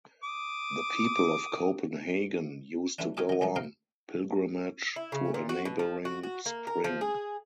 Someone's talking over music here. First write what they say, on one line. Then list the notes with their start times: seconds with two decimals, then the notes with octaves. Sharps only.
The people of Copenhagen used to go on pilgrimage to a neighboring spring.
0.23 D6 D#6
2.99 E3 G3 A3 C#4 D4
3.17 D#4 G4 G#4 A#4 D#5
3.29 G2 D#3
3.41 C#2 G2 F3 A3
3.56 C3 D#3 D#4 F5 G5
4.96 E4
5.12 C#3
5.34 A#2
5.49 F#4
5.65 B2
5.79 F3
6.05 F#4
6.23 F#4
6.46 A#3
6.67 A#4
6.84 F3
7.01 G#4